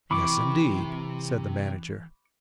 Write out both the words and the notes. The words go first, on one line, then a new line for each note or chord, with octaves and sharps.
"Yes, indeed," said the manager.
C3 E3 B5 C#6 D6